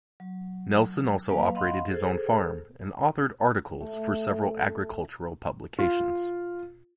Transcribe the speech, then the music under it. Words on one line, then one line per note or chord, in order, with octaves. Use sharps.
Nelson also operated his own farm, and authored articles for several agricultural publications.
F#3
F#3 A#3 B4 F5
D#5 F5 F#5 B5 C6
G#4 A4 C5
A3
F4